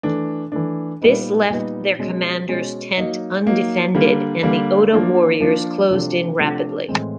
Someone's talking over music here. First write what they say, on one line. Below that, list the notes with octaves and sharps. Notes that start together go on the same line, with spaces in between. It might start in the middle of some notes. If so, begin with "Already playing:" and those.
This left their commander's tent undefended, and the Oda warriors closed in rapidly.
E3 A3 D4
E3 A3 D4
A#2 G3 B3 D#4
A#2 G3 B3 D#4
B2 G#3 C#4
B2 G#3 C#4
F#3 A#3 D#4
F#3 A#3 D#4
D3 G3 A#3
D3 G3 A#3
F3 A#3 D4
F3 A#3 D4
C3 F3 A3 D4
C3 F3 A3 D4
A2 E3 G#3 C4